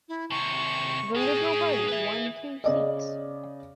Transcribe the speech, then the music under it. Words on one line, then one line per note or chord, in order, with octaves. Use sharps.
The Liberal Party won two seats.
E4
D#2 C3 C#6
A2 G#4
B4 E5
C#3 D5 D#5